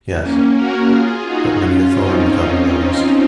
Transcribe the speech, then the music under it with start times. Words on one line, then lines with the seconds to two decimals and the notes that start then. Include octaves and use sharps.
Yes, but many a thorn without a rose.
0.21 A#3 C#4
0.56 F#4 A#4
0.91 F4 G#4
1.25 D#4 F#4
1.59 C#4 F4
1.94 C4 D#4